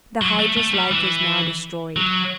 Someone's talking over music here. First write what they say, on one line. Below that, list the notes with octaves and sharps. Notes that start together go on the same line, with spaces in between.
The Hydra's life was now destroyed.
F#3
A3
A3
G3
E3
F#3